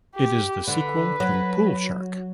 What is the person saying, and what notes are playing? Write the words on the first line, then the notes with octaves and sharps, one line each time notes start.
It is the sequel to "Pool Shark".
G4
D3 B4
F#3